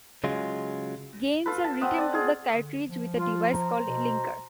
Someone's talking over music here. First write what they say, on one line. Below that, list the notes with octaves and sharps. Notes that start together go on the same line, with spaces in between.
Games are written to the cartridge with a device called "linker".
C#3 F#3 G#3 F4
F4 A4 B4
A5
C4 D#5 F#5 D#6
D5 D#5
F4 G#4
D3
F3
F4
C5 A#5
B2